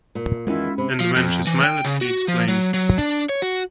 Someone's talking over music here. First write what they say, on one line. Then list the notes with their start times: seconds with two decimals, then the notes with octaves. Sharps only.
And when she smiled he explained.
0.15 A#2
0.47 E2 D#3 G#3 C#4 E4 F4
0.78 C3 B5
1.00 F3
1.16 F2
1.47 E3
1.63 G5
1.85 C#3
2.01 F#4
2.28 F3
2.48 F#3
2.74 F#3
2.98 D4
3.29 C#5
3.42 F#4